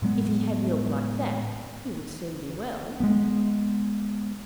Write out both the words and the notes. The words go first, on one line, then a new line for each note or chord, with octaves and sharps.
"If he had milk like that, he would soon be well!"
A2 F#3 G#3 B3
G#3 A#3 B3